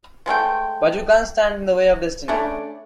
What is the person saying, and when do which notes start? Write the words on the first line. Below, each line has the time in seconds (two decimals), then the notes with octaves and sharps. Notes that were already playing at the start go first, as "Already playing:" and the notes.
But you can't stand in the way of destiny.
0.26 F3 G#3 A3 G5
2.28 C#3 A3 D4 D5